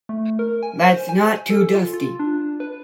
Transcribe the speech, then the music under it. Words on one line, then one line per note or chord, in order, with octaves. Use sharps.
That's not too dusty.
A3
A#4
G#5
C5
G#5
A4
F4
F4
D4
B4